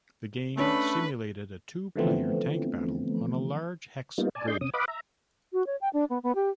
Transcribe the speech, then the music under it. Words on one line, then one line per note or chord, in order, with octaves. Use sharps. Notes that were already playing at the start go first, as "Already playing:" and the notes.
The game simulated a two-player tank battle on a large hex grid.
A3 C#4 D4 B4 C#5
D3 E3 F3 A3 B3 C4
G3 A#3 B3 D#4 F4
D5 G#5 A5
D4 G#4 D5 D#5 C6 G6
C3 C#4 D#6
B4 D#5 F5 F#5 B5 D6
E5 A#5
F#4
C#5
G5
D4
B3
B3
G4